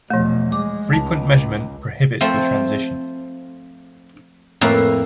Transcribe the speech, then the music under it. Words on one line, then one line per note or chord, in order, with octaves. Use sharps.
Frequent measurement prohibits the transition.
E2 B2 F3 A3
G#3 D6
C#2 A5
F3 A3 C4
F2 A2 A#3 B4 E5